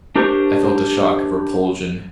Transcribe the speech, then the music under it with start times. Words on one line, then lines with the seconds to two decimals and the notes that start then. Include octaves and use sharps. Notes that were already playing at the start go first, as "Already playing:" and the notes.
I felt a shock of repulsion.
0.15 D4 G4 A#4 C5 C#6